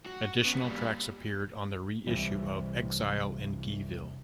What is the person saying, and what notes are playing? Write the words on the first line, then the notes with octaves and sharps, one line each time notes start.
Additional tracks appeared on the reissue of "Exile in Guyville".
F#4
C#3 B3
A#2 G3
C2 C3 E3 G3